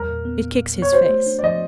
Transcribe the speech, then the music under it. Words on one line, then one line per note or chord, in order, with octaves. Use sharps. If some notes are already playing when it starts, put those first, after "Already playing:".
It kicks his face.
Already playing: E2 G3 A#4
A#2
B3
A#2
A#2
B3
C#5
F#4 C5
A3
D4
D5
F3 D#5